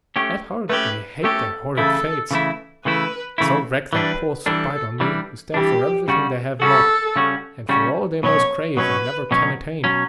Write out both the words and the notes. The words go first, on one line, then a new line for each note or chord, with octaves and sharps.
At heart they hate their horrid fates, and so wreak their poor spite on me who stand for everything they have not, and for all they most crave and never can attain.
A3 C#4 G4
A3 C#4 G4 B4
A3 C#4 G4 A4
C#3 E3 A3 E4 A4
C#3 E3 A3 E4
C#3 E3 A3 E4 B4
C#3 E3 A3 E4
E3 G3 D4 B4
E3 G3 D4 A4
E3 G3 D4
E3 G3 D4 G4
C#3 G3 C#4 F#4
C#3 G3 C#4 F#4 A4
C#3 G3 C#4 F#4
C#3 G3 C#4 F#4
B2 F#3 C#4 C#5
B2 F#3 C#4 B4
B2 F#3 C#4
B2 F#3 C#4